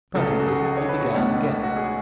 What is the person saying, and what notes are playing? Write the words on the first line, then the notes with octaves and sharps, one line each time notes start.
Presently he began again.
C#2 C#3 F#3 A4
G#4
F#4
G#4
F#4
G#4
C#5
B4
F#4
B1 A2 G#3 B3 D4
F#4
G#4